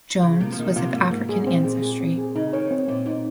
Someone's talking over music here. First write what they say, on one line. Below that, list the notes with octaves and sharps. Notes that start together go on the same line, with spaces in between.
Jones was of African ancestry.
C#3 F4
C3 A#3
F3
D#3 A#3
C3 F4
G#2 A#3
G#2 A#3
G#2 G#4
A#2 C4
A#2 G#4
A#2 G#4
C4
G#4
C#3 D#4
D#3 C#5
C4
A#2 C4
A#2 D#4